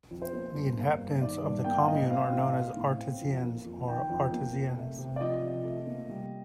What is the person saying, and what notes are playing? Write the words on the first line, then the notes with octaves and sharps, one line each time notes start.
The inhabitants of the commune are known as "Artisiens" or "Artisiennes".
F2
C5
A#3
G2
A#3
G2
D#3 D5
G2
A#3 G5
F5
A2 D#5
C4 F5
A2 F5
A3
A2
C4
F2
A#3
F2
D#3 G5
F2
A#3
C3
A3
C3
D5
F3 D#5
C3
A3
A#3
G3